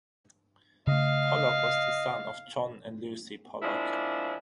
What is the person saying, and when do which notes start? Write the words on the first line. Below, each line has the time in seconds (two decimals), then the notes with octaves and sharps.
Pollock was the son of John and Lucy Pollock.
0.87 C#3 A3 D#5 F5
3.62 F3 G#3 A#3 C4 D4 E4